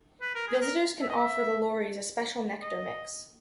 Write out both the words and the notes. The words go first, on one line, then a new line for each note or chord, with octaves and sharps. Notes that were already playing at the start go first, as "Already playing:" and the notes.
Visitors can offer the lories a special nectar mix.
B4
A#4
G#4
A#4
E5
D#5
E5
D#5